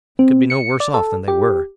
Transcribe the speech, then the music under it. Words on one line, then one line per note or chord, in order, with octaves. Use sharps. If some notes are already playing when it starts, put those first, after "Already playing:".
They could be no worse off than they were.
C4
C#7
D5
A4
G4